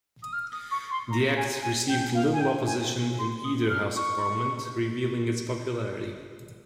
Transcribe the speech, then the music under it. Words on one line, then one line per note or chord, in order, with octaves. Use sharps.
The Act received little opposition in either House of Parliament - revealing its popularity.
D#6
F6
D#6
C#6
C6
A#5
G#5
G#5
G5
F5
G#5
G5
G#5
C6
D#6
F6
C#6